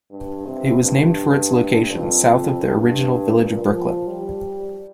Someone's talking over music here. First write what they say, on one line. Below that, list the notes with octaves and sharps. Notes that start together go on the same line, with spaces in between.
It was named for its location, south of the original Village of Brooklyn.
G2
C3
G2
F2
G2
A#2
F3
G3